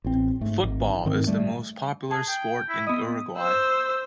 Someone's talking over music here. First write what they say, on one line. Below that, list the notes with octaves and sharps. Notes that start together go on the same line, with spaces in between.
Football is the most popular sport in Uruguay.
A1 C4
G#2 A3
G#1 D#3
G#2 D#3 C4
G3 A3
G#4 A5
G5
E4
B3 D#5 D#6
C5 E6